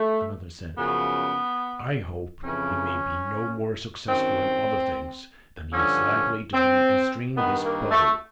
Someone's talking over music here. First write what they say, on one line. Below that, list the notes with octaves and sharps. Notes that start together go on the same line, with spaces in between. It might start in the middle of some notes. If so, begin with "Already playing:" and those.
Another said, "I hope he may be no more successful in other things than he is likely to be in stringing this bow."
Already playing: A3
F#2 C#3 F3 B3
F2 C#3 E3 C#4
F#2 D#3 C4
G2 D3 F3 C#4
C4
G2 D#3 B3
A#3
A3